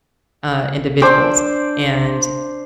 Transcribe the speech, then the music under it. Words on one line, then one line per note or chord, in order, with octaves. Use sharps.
uh, individuals, and
D4 C5 D6 E6